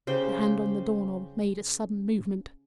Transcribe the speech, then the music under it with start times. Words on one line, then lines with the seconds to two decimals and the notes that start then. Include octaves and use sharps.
The hand on the door-knob made a sudden movement.
0.07 C#3 G4 C5 G5